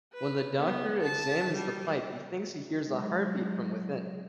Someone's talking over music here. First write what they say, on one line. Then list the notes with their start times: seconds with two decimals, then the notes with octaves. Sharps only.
When the Doctor examines the pipe, he thinks he hears a heartbeat from within.
0.13 B4
0.59 B3
1.03 A5
1.55 G3
2.86 F#3 G#3